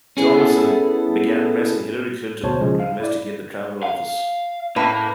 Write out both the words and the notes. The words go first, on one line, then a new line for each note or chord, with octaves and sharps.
Thomason began pressing Hillary Clinton to investigate the travel office.
B3 C#4 E4 G#4 A4
D2 B2 C5 C#5 A5
C#3 F3 G#3 C#4
F5
E4 D5
F5
A2 A#3 C#4 B4